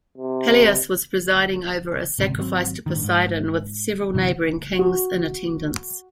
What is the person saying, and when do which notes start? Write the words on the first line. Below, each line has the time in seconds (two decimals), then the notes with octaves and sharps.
Pelias was presiding over a sacrifice to Poseidon with several neighboring kings in attendance.
0.18 C3
2.19 D1 G#1 C#2 C3
2.37 G#1 F#3 C4
2.86 A1 G2 D#3
3.04 G#2
4.14 G1 C3 E3 F#3
4.79 F#4